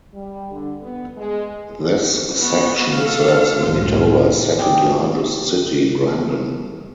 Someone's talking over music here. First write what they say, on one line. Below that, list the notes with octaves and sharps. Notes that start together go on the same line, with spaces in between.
This section serves Manitoba's second largest city, Brandon.
G3
D3
B3
G#3
B3 F#4
A4 F5
C#2 F#2 A2 F4
G3 C4 G#4 A#4 D5